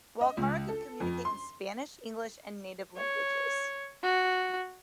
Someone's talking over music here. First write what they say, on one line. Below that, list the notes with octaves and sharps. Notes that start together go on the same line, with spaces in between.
Walkara could communicate in Spanish, English, and native languages.
D#5
C#2
A4
F2
C6
C#5
F#4